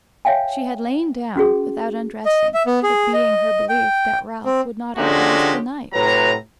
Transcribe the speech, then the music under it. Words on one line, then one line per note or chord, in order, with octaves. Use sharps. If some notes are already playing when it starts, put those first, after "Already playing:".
She had lain down without undressing, it being her belief that Ralph would not outlast the night.
C#5 E5 F5 G5 G#5
C#4 F#4 G#4
D#5
E5
B3
G#4
D#5
G5
C4
D3 F3 G#3 C#4 F#4 G4
A2 C3 F#3 B4 A#5